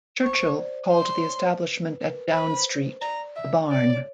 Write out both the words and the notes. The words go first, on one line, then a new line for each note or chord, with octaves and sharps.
Churchill called the establishment at Down Street "The Barn".
C5 C#6
C5
D5
C5 C6
C#5
C5
B4
B4
A#4
B4
C5 B5
D5 A#5
E5
C#5 D5
C#5